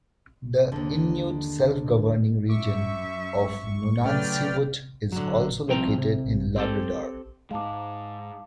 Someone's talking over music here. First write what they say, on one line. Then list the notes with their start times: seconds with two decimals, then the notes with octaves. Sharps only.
The Inuit self-governing region of Nunatsiavut is also located in Labrador.
0.72 D#2 D3
2.50 F#2 E5 C#6 D6
4.05 C#3 F#3 A3 B4 D5 G5 F6
5.12 D3 F#3
5.68 C2 F3 C4 G5 A#5
5.98 C3
6.56 C4 G4 A4
7.51 G#2 G#3 F5 A5 D6